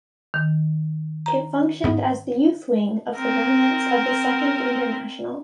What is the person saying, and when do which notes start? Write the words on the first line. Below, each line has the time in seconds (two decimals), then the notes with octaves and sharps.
It functioned as the youth wing of the remnants of the Second International.
0.34 D#3
1.26 A#5
1.84 G#2 B3
3.16 C4 A#4